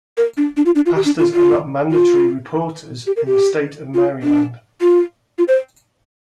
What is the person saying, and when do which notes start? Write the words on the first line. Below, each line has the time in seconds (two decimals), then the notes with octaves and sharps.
Pastors are not mandatory reporters in the State of Maryland.
0.17 A#4
0.37 D4
0.57 D4
0.66 F4
0.75 D4
0.86 F4
0.96 G4
1.05 D4
1.19 F4
1.34 F4
1.91 F4
3.07 G4
3.16 A#4
3.27 G4
3.94 F4
4.23 D4
4.82 F4
5.38 F4
5.48 C5